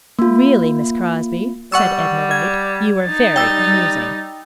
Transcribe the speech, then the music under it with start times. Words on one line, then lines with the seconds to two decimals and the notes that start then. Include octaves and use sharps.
"Really, Miss Crosby," said Edna Wright, "you are very amusing."
0.19 A#3 F4
1.72 G3 F#5 C#6 E6
2.31 G#6
3.05 D#4 A6
3.36 G3 G5 E6